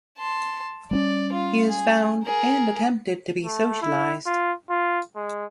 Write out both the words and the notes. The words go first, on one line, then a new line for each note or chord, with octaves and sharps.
He is found and attempted to be socialized.
A5 C6
G3 B3 C#4 D5
F4 F5
G#4
G#4 A#4
A3
E4
F4
F4
G#3